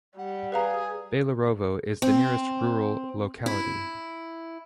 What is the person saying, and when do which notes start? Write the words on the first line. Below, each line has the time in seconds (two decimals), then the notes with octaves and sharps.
Baylarovo is the nearest rural locality.
0.18 G3 F#5
0.52 G#4 B4 F5 A#5
2.02 C4
3.46 E4